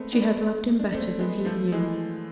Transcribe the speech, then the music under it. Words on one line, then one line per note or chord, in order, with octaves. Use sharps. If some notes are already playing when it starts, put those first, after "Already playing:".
She had loved him better than he knew.
Already playing: G#3 A3 B3 C4
B3 D4
D4
A3 C4
G#3 B3
F3 A3
E3 G#3